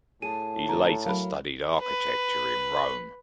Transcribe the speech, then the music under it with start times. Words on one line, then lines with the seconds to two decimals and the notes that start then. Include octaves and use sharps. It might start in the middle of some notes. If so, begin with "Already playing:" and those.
He later studied architecture in Rome.
0.22 A2 G#4 A5 D#7
0.69 D3 F#4 A4 A#5
1.06 F#3 A#4 F5 B5
1.82 B4